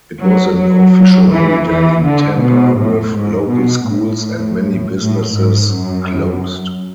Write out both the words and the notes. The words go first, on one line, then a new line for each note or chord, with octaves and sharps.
It was an official holiday in Tampa, with local schools and many businesses closed.
F#3
F#3
E3
E3
D3
B2
A2
G#2
B2
A2
A2
G#2
F#2